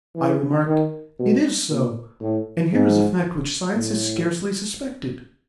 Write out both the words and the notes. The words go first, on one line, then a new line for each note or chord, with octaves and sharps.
I remarked: "It is so; and here is a fact which science has scarcely suspected."
E3
D#3
B2
A#2
A2
G#2
A2